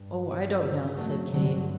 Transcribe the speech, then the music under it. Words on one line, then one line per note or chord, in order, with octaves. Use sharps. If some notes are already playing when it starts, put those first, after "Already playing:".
"Oh, I don't know," said Kate.
Already playing: G2
D3 F#3
F#3 A3
G2 D3 F#3